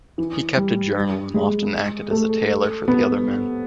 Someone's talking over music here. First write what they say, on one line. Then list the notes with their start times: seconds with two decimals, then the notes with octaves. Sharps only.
He kept a journal and often acted as a tailor for the other men.
0.18 E3
0.57 G3
1.34 G#3
2.11 A3
2.88 B3